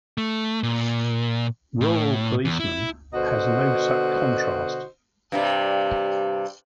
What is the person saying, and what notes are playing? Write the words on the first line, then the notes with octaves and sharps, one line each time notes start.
"Rural policeman" has no such contrast.
A3
A#2
A2
E2
E4
B2 D3 F#4 C5 D#5
G2 C3 G3